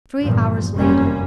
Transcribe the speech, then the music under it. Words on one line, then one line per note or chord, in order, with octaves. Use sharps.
Three hours later.
G1 E2 G2 A#2 F3
F1 F#2 C3 G3 A#3 C#4